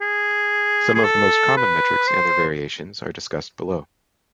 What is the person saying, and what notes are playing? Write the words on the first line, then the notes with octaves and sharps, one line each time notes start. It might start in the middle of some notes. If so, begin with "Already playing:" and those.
Some of the most common metrics and their variations are discussed below.
G#4
G#4
A4
B4
C5